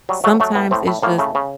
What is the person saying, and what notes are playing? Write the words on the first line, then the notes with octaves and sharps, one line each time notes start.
sometimes it's just
F#3 G3
F#3 A3
F#3 A3
A2 B3
A2 C4
A2 E4
A2 A#3
C#3 A3
C#3